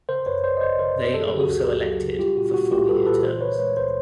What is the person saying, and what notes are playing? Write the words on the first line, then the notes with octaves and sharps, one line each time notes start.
They are also elected for four-year terms.
C#3 A#4 C5
F#2 B4 C#5
G#1 C5 D5
D#5
G#1 C5 D5
C#3 A#4 C5
F#2
F#3 A4
G#4
C#3 G4
F#4 G#4
C#2
C#2
F#3
C#3
G3 F4 G4
A#2 F#4
A#3 F#4
C2 F4 G4
G3 A4 B4
A#2 A4 B4
E3 A#4 C5
C#3 B4 C#5
G#3 B4 C#5
C#2 A#4 C5